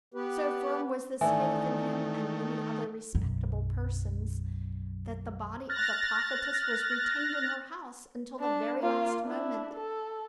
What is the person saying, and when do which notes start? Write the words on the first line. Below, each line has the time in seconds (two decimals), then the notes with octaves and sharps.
So firm was this faith in him and many other respectable persons, that the body of the Prophetess was retained in her house until the very last moment.
0.14 B3 G4 B4
1.21 D#3 E3 A3 D4 E5 G#5
3.15 B1 F#2
5.69 F6 F#6 A6 A#6
8.39 D4 A5
8.81 A#3 F4
9.22 D4 E4
9.74 A4